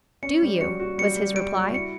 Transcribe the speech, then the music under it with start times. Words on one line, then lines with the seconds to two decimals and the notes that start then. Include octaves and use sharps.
"Do you?" was his reply.
0.23 C#4 C#7
0.42 G3
0.61 F#4 C#7
0.80 F#4
0.98 G3 C#7
1.17 G3
1.36 G3 D7
1.56 F#4
1.74 E4 C#7